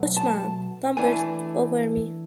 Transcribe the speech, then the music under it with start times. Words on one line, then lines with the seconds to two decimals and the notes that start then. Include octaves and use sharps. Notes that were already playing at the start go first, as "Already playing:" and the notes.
A watchman tumbled over me.
Already playing: B2 F#3 A3
0.17 A5
0.97 E3 A3 D4 G#5